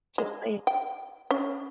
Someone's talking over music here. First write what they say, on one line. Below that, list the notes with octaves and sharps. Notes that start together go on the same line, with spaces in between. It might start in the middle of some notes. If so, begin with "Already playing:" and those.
just saying
G#3
G5
C#4